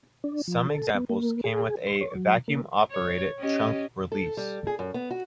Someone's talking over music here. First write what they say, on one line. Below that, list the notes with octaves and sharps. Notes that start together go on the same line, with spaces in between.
Some examples came with a vacuum-operated trunk release.
D4
F3
A4
B3
A#3
G#4
C6
C#5
F#3
A#3
C#5
C#4 G4 D#5
A4
G3
G#4
F#2
B3
F#4